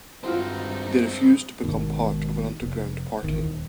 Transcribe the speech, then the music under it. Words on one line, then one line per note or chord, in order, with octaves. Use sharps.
They refused to become part of an underground party.
G2 G#3 C4 D#4 F4 F#4 C5
G#1 G#2 B2 D#3
F1
G#1 E2 D#3
D#1